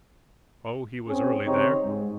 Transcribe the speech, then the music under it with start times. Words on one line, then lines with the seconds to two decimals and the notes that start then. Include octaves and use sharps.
Oh, he was early there!
1.08 C4 C#4 G#4
1.47 C#3 C4 D#4 G4 C#5
1.84 G#2